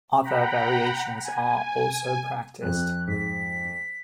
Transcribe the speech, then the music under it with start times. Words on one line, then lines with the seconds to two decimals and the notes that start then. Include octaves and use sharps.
Other variations are also practiced.
0.23 F#5 G5 A#5 B5
1.24 G#5
2.62 F2 F#6
3.08 G#2 B6